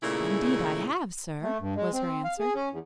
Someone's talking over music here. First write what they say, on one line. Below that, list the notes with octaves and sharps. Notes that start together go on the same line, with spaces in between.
"Indeed I have, sir," was her answer.
A#2 C#3 A3 D#4 E4 G#4
A3
G2
G#3
C4
F5
G#4
C#4
E2